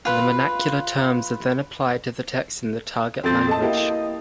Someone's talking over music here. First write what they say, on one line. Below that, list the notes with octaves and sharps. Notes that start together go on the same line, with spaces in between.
The vernacular terms are then applied to the text in the target language.
F4 B4
F2 C4 A4 A6
A4 D#5 A5
A#3 E4 G4